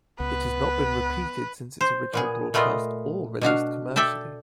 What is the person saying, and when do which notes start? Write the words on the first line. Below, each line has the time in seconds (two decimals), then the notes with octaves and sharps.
It has not been repeated since its original broadcast or released commercially.
0.20 C#2 B3 B4
1.81 C5
2.13 A#2 B3 G#4
2.54 A#2 A3 B3 F4 D#5
3.41 B2 D4 F#4 F5
3.96 A4 D5 E5 G5 A5